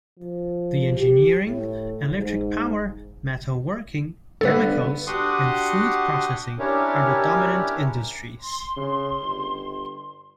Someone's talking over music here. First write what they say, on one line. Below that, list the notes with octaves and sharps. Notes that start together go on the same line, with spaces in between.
The engineering, electric-power, metal-working, chemicals, and food processing are the dominant industries.
F3
G4
A2
G#2
G2 D3 B3 A4 B4
D4 F#4 G4 F#5 C6 D#6
C#4 D4 E4 G4 A#4 C#5
C6
C#3
G1